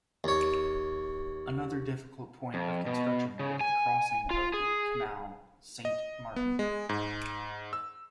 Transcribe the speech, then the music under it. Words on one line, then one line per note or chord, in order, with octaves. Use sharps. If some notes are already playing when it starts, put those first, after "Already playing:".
Another difficult point of construction was the crossing of the Canal Saint-Martin.
D#2 C#5
F2
B2
C#3
G#5
F4
G#4
D#5
B3
G#3
G#2
E6